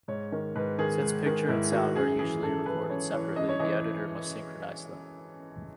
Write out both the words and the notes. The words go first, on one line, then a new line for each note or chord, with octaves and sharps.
Since picture and sound are usually recorded separately, the editor must synchronize them.
G#2 C#5
D#3
G#2 B4
D#3 G#4
G#2
D#3
G#2 E4
D#3 F#4
F#2 G#4
E3 G#4
F#2 A4
E3 B4
F#2 C#5
E3 C#5
F#2 D#5
C#5
E3 D#5